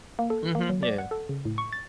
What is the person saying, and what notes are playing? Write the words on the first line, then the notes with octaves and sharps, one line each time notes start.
Mhm, yeah.
A#3
A4
A#3
F#3
D5
F#5
A4
C#3
A2
C#6
A6